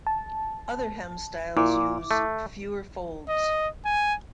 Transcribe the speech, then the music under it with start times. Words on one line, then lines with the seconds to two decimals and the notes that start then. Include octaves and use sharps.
Other hem styles use fewer folds.
0.07 A5
1.57 A#2 E4 D6
2.11 A3
3.29 D#5
3.85 G#5